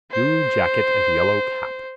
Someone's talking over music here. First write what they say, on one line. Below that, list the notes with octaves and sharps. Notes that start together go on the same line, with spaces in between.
Blue jacket and yellow cap.
C5